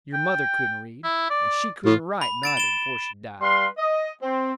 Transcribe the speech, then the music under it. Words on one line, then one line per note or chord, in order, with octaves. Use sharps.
Your mother couldn't read, and she couldn't write, nuther, before she died.
G5
E4
D5
A2 F4
B5
A6 D7 E7
E7 G7
G3 B4 F5 C6
D#5
C4